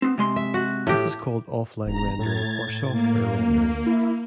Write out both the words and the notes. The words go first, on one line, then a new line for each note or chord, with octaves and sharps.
This is called offline rendering or software rendering.
B3 C4
C3 G#3 C6
E5
F#4
A2 G4
E1 A#5
A2 G#6 A6
A#3
D2
E4